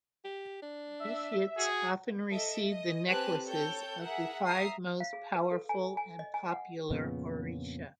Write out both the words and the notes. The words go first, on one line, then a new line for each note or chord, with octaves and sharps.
Initiates often receive the necklaces of the five most powerful and popular oricha.
G4
D4
E5
F#4 G#4
A4 D#5 E5 D7
D#5
C4 G4 B4 G#5 A5 F#6
A4 C#5 G5 G6
G#4 A#4 E5 F#5
E5 A#5 D#6 C7
F5
G#4
B4
A4
G#5
G#5
D#5
G#5
F#5
F2 A#2 C#3 B3